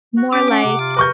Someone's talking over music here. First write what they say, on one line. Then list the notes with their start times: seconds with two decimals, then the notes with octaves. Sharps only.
more, like
0.17 F#4
0.33 C#4 G4 D6
0.51 C#4 F#5
0.65 C3
0.80 F4
0.97 A#4 B4 C#6 G6